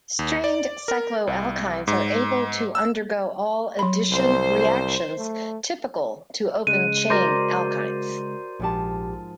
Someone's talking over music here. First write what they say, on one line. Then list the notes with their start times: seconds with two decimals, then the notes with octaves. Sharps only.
Strained cycloalkynes are able to undergo all addition reactions typical to open chain alkynes.
0.19 D#2
0.44 D5
0.88 A#4
1.27 C2
1.88 G#2
2.75 E6
3.79 F#3 B5
4.11 C2 C5
5.18 A3
6.67 C#3 G#3 F#6 D#7
7.10 F#4 A#4 C5 D5 F5 A#5
8.60 A#1 G#2 F3 G4 A5